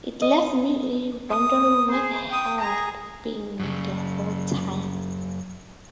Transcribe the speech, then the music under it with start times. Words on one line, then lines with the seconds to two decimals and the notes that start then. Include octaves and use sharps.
It left me wondering where the hell I'd been the whole time.
0.22 D#5
1.29 D#6
1.90 G#4 C5
2.29 G5 D#6
2.60 G#4 A#5
3.60 F#2 C#3